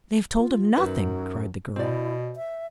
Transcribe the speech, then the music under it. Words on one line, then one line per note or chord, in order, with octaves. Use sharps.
"They have told him nothing!" cried the girl.
F4
F#2 D#3 F#3 F#4 B4
B2 C4 E4 D5
E5